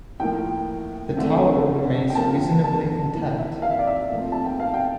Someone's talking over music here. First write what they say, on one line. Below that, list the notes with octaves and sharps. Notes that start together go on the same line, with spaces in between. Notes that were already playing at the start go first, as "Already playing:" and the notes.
The tower remains reasonably intact.
A2 F3 A#3 G5
D3 A3 C4
G5
C3 F3 A#3 A5
A5
E3 A#3
E5
F5
E5
D5
E5
A#2 F3 A3 C4
A5
G5
F5
G5